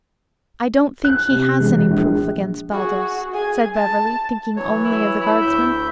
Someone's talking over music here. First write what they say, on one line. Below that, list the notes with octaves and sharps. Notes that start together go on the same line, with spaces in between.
"I don't think he has any proof against Baldos," said Beverly, thinking only of the guardsman.
F#6
C3
E1
A#1
F#4 G#4
G#4 G#5
A5
E3 F#3 C#5
E4
E4
D2 E5 G6